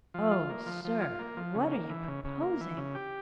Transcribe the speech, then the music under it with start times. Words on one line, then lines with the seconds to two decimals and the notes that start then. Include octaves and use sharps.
"Oh, sir, what are you proposing?"
0.14 F3
0.31 F4
0.49 A#3
0.66 F3
0.85 F3
1.02 F4
1.19 A#3
1.37 F3
1.55 C#3
1.72 A#3
1.90 E3
2.08 C#3
2.25 C#3
2.42 A#3
2.60 E3
2.77 C#3
2.95 G4